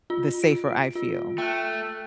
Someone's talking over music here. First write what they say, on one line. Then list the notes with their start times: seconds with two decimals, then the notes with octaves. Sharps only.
the safer I feel.
0.10 F4
0.43 D7
0.95 F4
1.38 A3 G5 F#6